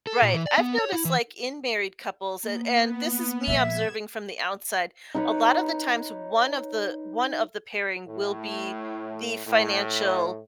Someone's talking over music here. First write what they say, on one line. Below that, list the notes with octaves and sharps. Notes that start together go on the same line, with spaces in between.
right. I've noticed, like, in married couples, and and this is me observing from the outside, a lot of the times, one of the one of the pairing will be the financial,
A4
A#2
E3
D5
B3
C#5
E4
E3
A#3 B3
A#2 F3 E5 G#6 E7
D#4 B4 C#5
A2
A2